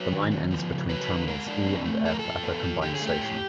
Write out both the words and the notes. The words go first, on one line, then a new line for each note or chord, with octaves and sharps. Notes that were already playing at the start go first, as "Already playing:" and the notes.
The line ends between terminals E and F at their combined station.
Already playing: F#3 B4
D#3
B3
F3
C#3
F#3 B4
D3
G#3 A#4
D4
C4
A3
F2 A4
A#4
F2 A4
B3
F3
D3 G4
G#4
A3
G4
A2